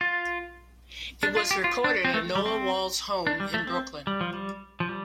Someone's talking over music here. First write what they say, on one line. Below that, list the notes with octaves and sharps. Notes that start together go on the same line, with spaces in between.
It was recorded at Noah Wall's home in Brooklyn.
F4
D4
F4
G4
F4
D4
C4
A3
G3
C4
D4
G3
A3
C4
G3
F3
G3
F3
G3